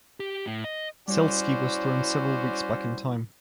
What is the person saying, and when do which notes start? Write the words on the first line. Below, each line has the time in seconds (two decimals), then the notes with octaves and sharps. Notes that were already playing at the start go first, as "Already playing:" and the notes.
Seleski was thrown several weeks back in time.
0.20 G4
0.47 A2
0.64 D#5
1.08 G3 C#4 E4 F#4 C5 D5